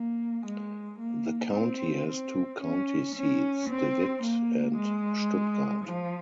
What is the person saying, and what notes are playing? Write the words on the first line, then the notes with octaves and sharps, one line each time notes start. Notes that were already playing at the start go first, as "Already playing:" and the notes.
The county has two county seats, De Witt and Stuttgart.
Already playing: A#3
G#3
A#3
C4
C4
C#4
C#4
C4
A#3
G#3
F3